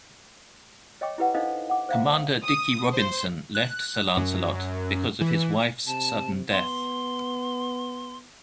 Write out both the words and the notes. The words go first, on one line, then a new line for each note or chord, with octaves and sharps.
Commander Dickie Robinson left "Sir Lancelot" because of his wife's sudden death.
C#5 D#5 G5 C#6 D6
E4 G4 B4 F#5
D4 D#4 A4 C5 D#5 F5
F#5 D6
C5 E5 F5 A#5
D#6
C5
F#6
F#2
E3
C3 A5
B3 C6